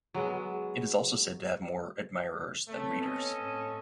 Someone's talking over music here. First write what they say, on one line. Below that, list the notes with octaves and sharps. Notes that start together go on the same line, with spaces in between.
It is also said to have more admirers than readers.
F#3 G#3 B3
A3 B3 C4 C#5
C#4 A4 D#5
A2